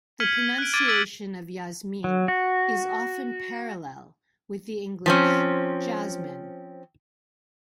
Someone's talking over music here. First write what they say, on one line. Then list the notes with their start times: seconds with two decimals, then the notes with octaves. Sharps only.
The pronunciation of "Yasmin" is often parallel with the English "Jasmine".
0.20 F6 G#6 B6 C#7 D#7 F#7
0.58 F#6 D7
0.74 D6 G#6 A6 D7 D#7
0.88 E6 A6 B6 D7 D#7 F#7
2.04 F#3
2.28 F#4
5.06 F3 C4 C#4